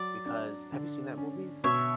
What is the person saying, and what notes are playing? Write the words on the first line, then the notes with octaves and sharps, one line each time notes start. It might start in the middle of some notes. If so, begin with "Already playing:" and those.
because have you seen that movie?
Already playing: F#3 D5
D4
D3
C#4
B2 C#5 E5